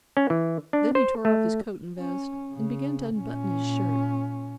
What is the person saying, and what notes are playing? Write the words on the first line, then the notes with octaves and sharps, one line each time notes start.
Then he tore off his coat and vest, and began to unbutton his shirt.
C#4
E3
D4
C5
A3
C#4
C#3
A#2 C#4